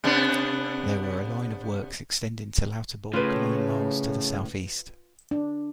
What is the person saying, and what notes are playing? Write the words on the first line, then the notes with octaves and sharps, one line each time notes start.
They were a line of works extending to Lauterbourg nine miles to the southeast.
C3 B3 D4
A2 C#3 F4 B4
D4